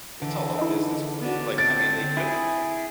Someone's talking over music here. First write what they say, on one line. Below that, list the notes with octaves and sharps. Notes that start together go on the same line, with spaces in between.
It's all a business plan, like, I mean, they could f
D3 E3
D#4 E4
B3 D4 F#4
C4 A6 D7
E4 G#4